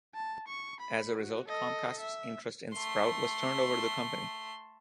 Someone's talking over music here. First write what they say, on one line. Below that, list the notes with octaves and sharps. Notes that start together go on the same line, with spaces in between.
As a result, Comcast's interest in Sprout was turned over to the company.
A5
C#6
B5
F#4
A4 D#5
E5
A3 C6